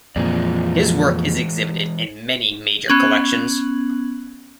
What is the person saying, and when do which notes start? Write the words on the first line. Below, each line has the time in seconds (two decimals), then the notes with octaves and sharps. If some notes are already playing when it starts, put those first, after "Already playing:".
His work is exhibited in many major collections.
0.16 F2 A#2 E3 F3 G#3 D5
2.88 B3 C#4 F#7